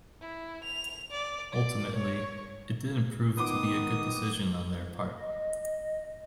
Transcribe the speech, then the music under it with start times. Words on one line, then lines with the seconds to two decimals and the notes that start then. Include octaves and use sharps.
Ultimately, it didn't prove to be a good decision on their part.
0.21 E4
0.63 F7
1.12 D5
1.52 D5
1.95 C#5
3.37 D#3 B3 C6 D6 D#6
5.18 D#5